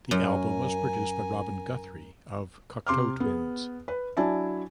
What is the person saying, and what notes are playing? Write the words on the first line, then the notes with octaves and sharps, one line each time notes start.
The album was produced by Robin Guthrie of Cocteau Twins.
F#2 A#4 G#5
C3 C6 D6 F6
B3 G#4
B4
F#3 D4 E4 G#5 A5